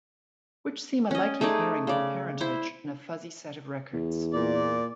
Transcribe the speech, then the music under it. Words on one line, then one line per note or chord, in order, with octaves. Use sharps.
Which seem a likely pairing for parentage, in a fuzzy set of records.
C#4 D#5
A3 D#4 G#4 D5
C#3 D5
E4 C5
E2
A#2 D5